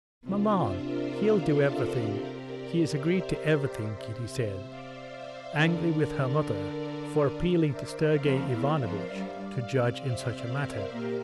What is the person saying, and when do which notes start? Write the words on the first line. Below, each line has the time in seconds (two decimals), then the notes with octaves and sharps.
"Maman, he'll do everything; he has agreed to everything," Kitty said, angry with her mother for appealing to Sergey Ivanovitch to judge in such a matter.
0.24 C3 D4 F4
0.54 C5 E5
0.84 A#4 D5
1.14 D5 F5
1.43 A4 C5
1.72 F4 A4
2.02 G4 A#4
2.47 A#4 D5
2.91 C5 E5
3.80 C3
4.68 D5 F5
5.13 C5 E5
5.57 D3 A#4 D5
7.35 A#4 D5
7.65 C5 E5
7.95 D5 F5
8.24 F2 F3
8.53 E2 E3
8.83 F2 F3
9.12 G2 G3
9.72 C3 C4
10.01 C5 E5
10.46 A#4 D5
10.90 A#2 A#3 G4 A#4